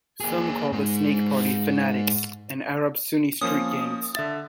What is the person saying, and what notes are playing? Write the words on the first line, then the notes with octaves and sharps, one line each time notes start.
Some call the Snake Party fanatics and Arab Sunni street gangs.
A#3 G#4
G#2 G#3
F3 A#3 C#4 D#6
D3 E5 A6